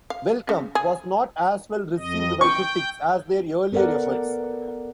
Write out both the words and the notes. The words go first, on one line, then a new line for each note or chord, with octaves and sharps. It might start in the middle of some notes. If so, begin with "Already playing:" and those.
"Welcome" was not as well received by critics as their earlier efforts.
F5
C#3
G#4
F2 D#5
G5 C#6
B3 A4 A#4 D5 F#5